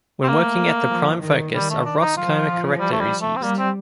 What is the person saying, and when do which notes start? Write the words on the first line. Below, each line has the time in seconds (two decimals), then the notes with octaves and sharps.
When working at the prime focus, a Ross coma corrector is used.
0.23 C4
0.28 A3 A#3
0.91 F3
1.23 D#3
1.54 D#3 G3
1.70 A3
1.85 D4
2.01 D#4
2.17 F3 F4
2.80 G3
2.92 A3
3.01 G3
3.22 A3
3.36 C4
3.42 G3 A#3
3.58 C4